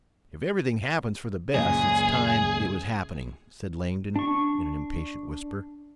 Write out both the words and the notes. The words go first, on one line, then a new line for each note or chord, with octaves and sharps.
"If everything happens for the best it's time it was happening," said Langdon in an impatient whisper.
C#2 F#2 A#2 G#4
D4 C#6